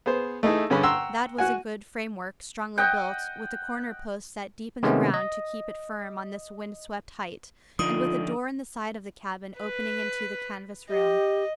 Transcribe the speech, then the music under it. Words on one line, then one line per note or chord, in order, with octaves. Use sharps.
That was a good framework, strongly built, with the corner posts set deep in the ground to keep it firm on this windswept height, and with a door in the side of the cabin opening into the canvas room.
B3 G#4 C5
A3 D#4 E4 G#4
G2 D3 C#4 G#4 B5
F#5 G5 A#5 C6 C#6 E6
F#4 F#5 G#5
D#5 F#5 G5
C3 D#3 G#3 A3 B3 C#4
D#5
D3 F3 D#4 F4 D#6
B4
G4 D#5